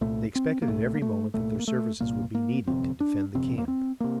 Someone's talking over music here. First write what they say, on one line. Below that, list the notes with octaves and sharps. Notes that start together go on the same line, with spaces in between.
They expected at every moment that their services would be needed to defend the camp.
C2 A#2 A3
C4
A#3
C2 A#2 A3
A#3
A3
C2 A#2 A3
A#3
A3
C2 A#2 A#3
A#3
G1 F2 C3 C4
D4
G1 F2 C3 C4
A#3
C4
C3 A#3